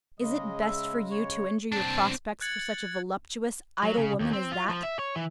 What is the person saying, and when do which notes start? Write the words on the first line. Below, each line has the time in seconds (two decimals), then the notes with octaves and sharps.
Is it best for you to injure your prospects for such a voluptuous, idle woman as that?
0.20 C#3 G#3 D#5
0.61 E5
1.11 C#5
1.72 C4 D4 A5
2.41 F#6 G#6 A6 C#7 F#7
3.83 F#3
3.97 C#3
4.20 D#2
4.33 C4
4.51 F4
4.69 F3
4.83 E5
4.99 C#5
5.16 E3